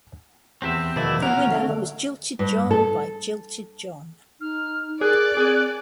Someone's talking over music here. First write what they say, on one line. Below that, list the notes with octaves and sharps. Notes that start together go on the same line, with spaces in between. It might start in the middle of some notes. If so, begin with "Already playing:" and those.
The winner was Jilted John by Jilted John.
E2 C4 G4 E5
E2 B2 D#3 F3 A3 E4 D5 E5
B3 C#4 F4 F#4 A#4
D3 A3
G2
A4
D#4 F6
G#4 A#4 D5 F#6
C4 G#4 G#5